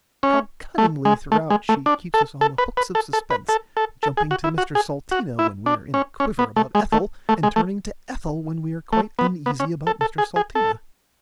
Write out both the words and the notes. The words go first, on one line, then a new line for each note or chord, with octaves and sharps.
How cunningly throughout she keeps us on the hooks of suspense, jumping to Mr Salteena when we are in a quiver about Ethel, and turning to Ethel when we are quite uneasy about Mr Salteena.
C#4
A3
G#3
A3
G#3
A3
D4
A4
A4
B4
B4
A4
A4
B4
A4
A4
A4
G#4
F#4
E4
F#4
G#4
F#4
E4
D4
C#4
C#4
B3
A3
G#3
A3
A3
G#3
A3
A3
B3
B3
C#4
A4
A4
G#4
G#4
A4